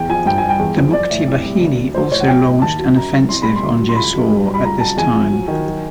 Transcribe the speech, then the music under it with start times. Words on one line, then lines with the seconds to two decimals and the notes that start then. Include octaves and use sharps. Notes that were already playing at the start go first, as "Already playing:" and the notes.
The Mukti Bahini also launched an offensive on Jessore at this time.
Already playing: E2 G5
0.09 F3 G#5
0.26 G2 G5
0.38 G3 G#5
0.49 G5
0.59 E2
0.76 F3
0.93 F3 D5
1.10 A2
1.28 C2
1.45 G3
1.61 D2
1.77 F#3
1.94 F3 C5
2.11 A2 C#5
2.20 F#5
2.28 F#3 G5
2.44 A2
2.61 D#2 A5
2.79 F#3
2.96 F#2 A#5
3.12 F#3
3.29 C2 C6
3.42 G3 B5
3.56 C6
3.63 D2
3.80 F#3
3.89 C6
3.96 C#2 B5
4.14 F#3
4.31 G2
4.46 G3
4.54 B5
4.63 C#2 A#5
4.80 F#3 A5
4.97 E2 G#5
5.15 F3
5.31 F#3
5.48 D#3
5.65 F#3